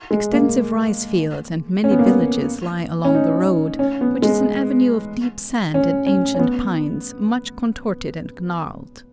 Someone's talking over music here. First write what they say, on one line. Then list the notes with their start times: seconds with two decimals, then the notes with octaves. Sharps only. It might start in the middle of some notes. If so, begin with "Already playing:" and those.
Extensive rice-fields and many villages lie along the road, which is an avenue of deep sand and ancient pines much contorted and gnarled.
0.11 G#3
0.33 A#3
1.84 C#4
1.91 B3
1.99 A#3
2.06 B3
3.05 C#4
3.15 D#4
3.79 C#4
4.01 B3
4.22 G#3
5.74 C#4
6.06 C#4
6.35 C#4
6.39 B3